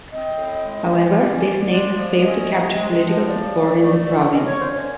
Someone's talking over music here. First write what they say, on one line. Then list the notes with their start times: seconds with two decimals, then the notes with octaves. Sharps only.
However, this name has failed to capture political support in the province.
0.12 C4 D#5
0.38 A2
0.64 G#3
0.91 E3
1.17 C#4 D5
1.43 G#2
1.70 G#3 D5
1.96 F3
2.22 C#4 D#5
2.49 C3
2.75 G#3
3.01 F3
3.27 C#3 D5
3.54 C#3
3.80 A3
4.06 F#3
4.33 C#4 D#5
4.46 C#5
4.59 A#2 C5
4.72 C#5